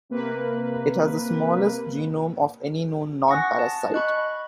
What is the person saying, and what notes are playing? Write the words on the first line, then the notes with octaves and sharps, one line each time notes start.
It has the smallest genome of any known non-parasite.
C3 A#3 B4
F#5 G#5 C#6 D#6 F#6 A#6
A5
D#5 B5 C#6 F#6